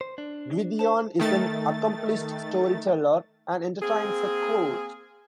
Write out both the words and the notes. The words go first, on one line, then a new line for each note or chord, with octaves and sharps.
Gwydion is an accomplished storyteller and entertains her court.
C5
D4
C5 A5
D#3 A3 A6
A#3 C4 G#4